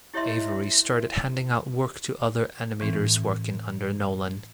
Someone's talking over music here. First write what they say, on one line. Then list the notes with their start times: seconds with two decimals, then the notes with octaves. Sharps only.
Avery started handing out work to other animators working under Nolan.
0.14 E4 G4 C#5 D#5 E5 C6
2.81 A2 E3 C4